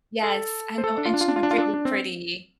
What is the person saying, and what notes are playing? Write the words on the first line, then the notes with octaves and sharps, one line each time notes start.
Yes, I know, and she's really pretty.
A4
C5
A4
D4
F4
D4
F4
D4
F4
D4
F4
D4
D4
C4